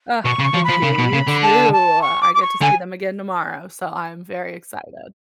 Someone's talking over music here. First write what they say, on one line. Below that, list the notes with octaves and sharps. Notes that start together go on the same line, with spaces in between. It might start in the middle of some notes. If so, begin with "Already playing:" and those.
Ugh, thank you, you too, I get to see them again tomorrow, so I'm very excited.
B2 C#6
C#3
C#6
F3
B5
F3
C#3
B2
C#3
D3
A5
A5
C#6
D6
D6
C#6
D3 G#5